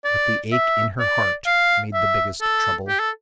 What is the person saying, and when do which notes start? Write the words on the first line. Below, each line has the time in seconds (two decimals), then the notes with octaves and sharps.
But the ache in her heart made the biggest trouble.
0.04 D5
0.52 E5
0.99 D5
1.46 F5
1.94 E5
2.41 A4
2.88 G4
2.99 A4